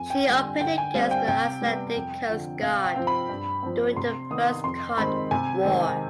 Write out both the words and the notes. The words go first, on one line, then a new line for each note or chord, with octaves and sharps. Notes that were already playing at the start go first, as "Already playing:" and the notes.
She operated against the Icelandic Coast Guard during the First Cod War.
Already playing: F2 G#5
G5
D3 G3 G5
D3 G5
G#5
G3 C4 F5
G5
C3 G5
G3 B3
F2
D3 F3
C3 F5
G5
F3 C4
B5
G2
F3 C4
C3 C6
D#3 B3 D#6
F2 C6
D#3 G#3 C4 B5
C3 G#5
D#3 G#3 C4